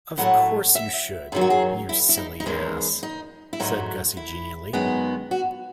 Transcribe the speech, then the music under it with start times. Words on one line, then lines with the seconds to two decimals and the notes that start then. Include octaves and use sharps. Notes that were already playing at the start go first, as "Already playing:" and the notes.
"Of course you should, you silly ass," said Gussie genially.
0.18 A2 F#3 A3 F#5
0.75 E5
1.32 F#2 D#3 F#3 G#4
1.41 F#4
1.50 G#4
1.89 E4
2.09 E4
2.17 D#4
2.40 D#4
2.46 E2 D#3 G#3 C#4
3.03 D#4
3.53 E4
3.60 G#2 F#3 A3 D#4
4.17 E4
4.73 F#2 D#3 G#3 B3
5.31 F#4